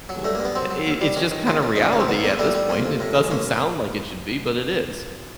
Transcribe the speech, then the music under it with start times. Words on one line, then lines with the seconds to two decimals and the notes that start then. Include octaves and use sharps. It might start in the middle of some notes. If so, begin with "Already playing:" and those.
Well eh it it's just kind of reality at this point. It doesn't sound like it should be, but it is.
0.09 F#3
0.24 G2 A3
0.35 A#3
0.40 G2 B3
0.55 F#3 C4
0.71 F#3
0.86 D#2
1.01 G3
1.17 D#3 C#4
1.31 D#3
1.47 C#3 F4
1.63 C#3
1.76 C#2 D#4
1.84 D4
1.92 C#2 C#4
2.00 C4
2.08 E2 B3
2.24 E2 A#3
2.39 G3 A3
2.55 G3
2.70 C3 A#3
2.85 F2
3.00 A2
3.16 A1
3.31 A1 A#3